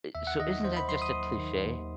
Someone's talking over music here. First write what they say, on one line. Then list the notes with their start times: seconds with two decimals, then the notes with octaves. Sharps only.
Eh so, isn't that just a cliche?
0.15 D#2 E5
0.27 F#5
0.40 D#3 D#5
0.64 D#2 C5
0.77 B5
0.89 F#3 C6
1.02 D#6
1.14 D#2
1.38 D#3
1.64 D#2